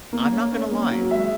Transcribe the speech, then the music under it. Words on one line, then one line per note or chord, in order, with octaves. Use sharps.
I'm not gonna lie,
A#3
C#4
C#4
A#3
F#3
G#3 E5